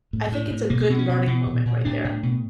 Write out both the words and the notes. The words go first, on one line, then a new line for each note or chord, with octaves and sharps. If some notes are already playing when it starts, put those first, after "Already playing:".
I think it's a good learning moment right there.
A2
A2
A2
B2 A#3
A#3
B2 C4
C#4
B2
B2
A#2
A#2
A2 D4
A2
B2